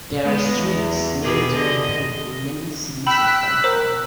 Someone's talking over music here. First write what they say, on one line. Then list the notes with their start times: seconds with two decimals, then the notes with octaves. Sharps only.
There are streets named for him in many cities in California.
0.24 G#3 B3
0.57 E2
1.23 B2 G4 G#4
1.53 D3 D#5
3.07 G5 B5 E6 F#6 B6
3.64 A#4 C5